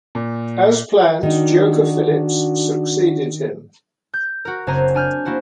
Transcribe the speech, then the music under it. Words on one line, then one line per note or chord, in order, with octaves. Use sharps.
As planned, Joker Phillips succeeded him.
A#2
D#3 D4 D#4 F#4
G6
F#4 A#4
F#1 C4 C5 G#5 A#5
D4 G#5 F6 G6
A#3 E4 F#4 C5